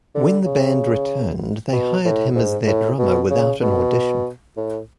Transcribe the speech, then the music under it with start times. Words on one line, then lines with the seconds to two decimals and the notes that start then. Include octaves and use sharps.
When the band returned, they hired him as their drummer without an audition.
0.15 D3
0.46 C#3
1.72 B2
2.05 A2
2.35 G#2
2.67 A2
2.99 B2
3.31 C#3
3.62 B2
4.57 A2